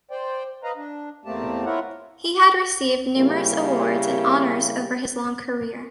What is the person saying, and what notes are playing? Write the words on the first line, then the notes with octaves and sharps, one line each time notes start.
He had received numerous awards and honours over his long career.
C5 D5 G5
B4 D#5 F5 A#5
D4
E2 A3 A#3 C4 G4 A5
E4 F4 A#4 C#5 E5 F#5
C#3 G3 A#3 E4 G4 A#4